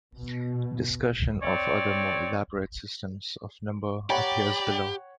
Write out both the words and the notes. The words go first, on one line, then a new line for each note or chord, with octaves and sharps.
Discussion of other more elaborate systems of number appears below.
B2
C4 C#5 D5
G4 C#5 D5 F#5 G5 A#5 B5